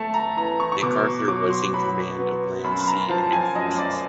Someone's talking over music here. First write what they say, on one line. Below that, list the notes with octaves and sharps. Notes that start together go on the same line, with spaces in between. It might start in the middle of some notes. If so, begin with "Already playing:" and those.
MacArthur was in command of land, sea and air forces.
Already playing: A3 A5
A#5
E3 A#5
C#6
C#6
B2 D6
F#3 D6
C6
F#3 B5
B3
F#2 B5
B5
A#5
F3 A5
G#5
F#2 D#5
D5